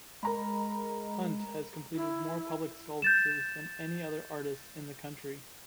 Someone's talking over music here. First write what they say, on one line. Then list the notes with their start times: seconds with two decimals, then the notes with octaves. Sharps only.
Hunt has completed more public sculptures than any other artist in the country.
0.23 G#3 A#4 A#5 B5
1.95 E4
3.02 G6 A6 E7